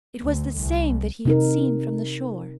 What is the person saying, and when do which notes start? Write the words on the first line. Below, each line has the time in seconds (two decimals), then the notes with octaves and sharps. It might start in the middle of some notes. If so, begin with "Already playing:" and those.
It was the same that he had seen from the shore.
0.22 D2
0.54 C2
1.25 C3 D#4 A#4